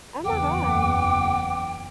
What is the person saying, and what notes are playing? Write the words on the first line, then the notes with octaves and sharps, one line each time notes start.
Oh my god.
F#1 E2 F#5 G5 D6